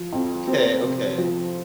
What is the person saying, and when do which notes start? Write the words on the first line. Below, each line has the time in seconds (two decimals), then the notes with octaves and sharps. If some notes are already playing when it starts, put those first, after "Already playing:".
Okay, okay.
Already playing: F3
0.12 F2
0.48 C4
0.83 C3
1.18 F3